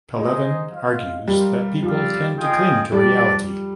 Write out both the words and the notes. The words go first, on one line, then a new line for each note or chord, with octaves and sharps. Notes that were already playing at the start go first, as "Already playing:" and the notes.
Pelevin argues that people tend to cling to reality.
G#3 D#4 G#4 C5 D#5
F4 C5 F5
G3 C4 F4 A#4 D5
F3 G3 C4 G4 D5 F5
F4 G#4 D#5 G5
G3 D4 G4 D5